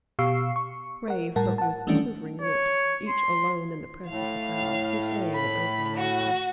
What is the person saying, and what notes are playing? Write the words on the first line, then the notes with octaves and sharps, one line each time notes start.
Brave, but with quivering lips, Each alone in the press of the crowd, Was saying it over and over.
B2 G4 F5 C#6 E6 C7
C#6
A#4 F#5
A2 G3 A#4 F#5 A5
F#5 A5
D#3 E3 G3 A3 C#4 D4
C#5
C6
A2 F5
B5
F#4